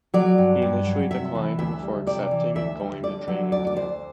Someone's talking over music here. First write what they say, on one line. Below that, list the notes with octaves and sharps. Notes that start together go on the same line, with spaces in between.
He initially declined before accepting and going to training camp.
F#3 D5
G2
G2
F#3
C3 E5
E3
D2 E5
G3
C3 D5
E3
D2 E5
G3
D3 D5
F#3 E5
D2 D5
D5
D2 C5